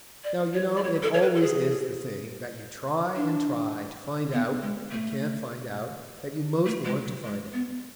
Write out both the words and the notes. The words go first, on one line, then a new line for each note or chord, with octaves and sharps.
Now you know it always is the thing that you try and try to find out and can't find out that you most want to find out.
D5
C#5
D5
C#5
A4
C#5
B4
A4
G#4
D4
B3
G#3
A3
A3
G#3
F#3
G#3
B3